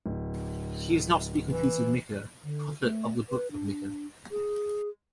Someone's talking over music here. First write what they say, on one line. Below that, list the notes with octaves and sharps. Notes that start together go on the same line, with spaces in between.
He is not to be confused with Micah, prophet of the Book of Micah.
D1
E3
D3
A3
B4
D4
G#4